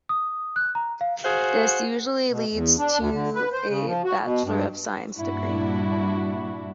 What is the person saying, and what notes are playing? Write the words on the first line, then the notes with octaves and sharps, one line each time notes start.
This usually leads to a Bachelor of Science degree.
D#6
F#6
A#5
F5
F#4 G#4 C5 F5 F#5
B2
E2
D4
D2
D3
B4
C5
C#3
F3
F#4
B2
G2
G2 A#2 D4 E4 F#4